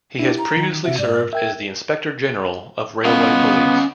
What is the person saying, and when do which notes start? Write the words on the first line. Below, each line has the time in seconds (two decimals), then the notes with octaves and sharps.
He has previously served as the Inspector General of Railway Police.
0.19 D4 E4 G4
0.38 A#5
0.57 D#3
0.85 C3 F#4 E5
0.99 G#2 D5
1.33 A#4 E5 G5 G#6
3.05 B3 C#4 D#5 F5